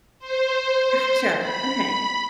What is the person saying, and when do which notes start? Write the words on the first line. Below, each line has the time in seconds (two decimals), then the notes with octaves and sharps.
Gotcha, okay.
0.19 C5
1.39 B5